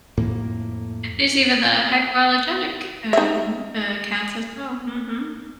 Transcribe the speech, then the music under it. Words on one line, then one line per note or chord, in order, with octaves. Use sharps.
There's even the hypoallergenic, um, uh, cats as well, mhm.
F2 A2 A#3
D#4 E5